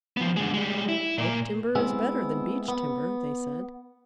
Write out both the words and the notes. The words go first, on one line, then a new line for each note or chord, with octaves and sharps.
"Oak timber is better than Beech timber," they said.
F3 B3
D3 G#3
G3 G#3
E4
A#2 A#3
G#3 B3 C4 E4 G#4
B3